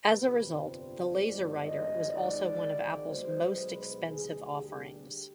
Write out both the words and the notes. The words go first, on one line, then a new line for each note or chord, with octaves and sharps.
As a result, the LaserWriter was also one of Apple's most expensive offerings.
G1 F2 C3 G3 B4
C5
G1 G2 D3 F3 G#3 D5
D#5
G#1 G#2 D#3 G#3 D5
B1 B2 G#3 C5
B4
D2 D3 G3 G#4
G4